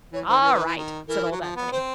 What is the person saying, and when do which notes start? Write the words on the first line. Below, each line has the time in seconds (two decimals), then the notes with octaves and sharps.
"All right," said old Anthony.
0.12 E3 C#5
0.28 D#3 C5
0.41 E3 B4
0.53 D#3
0.65 E3
0.77 D#3
1.08 E3 A#4
1.24 E3
1.32 F#3
1.41 F3
1.56 B3
1.72 C4 C5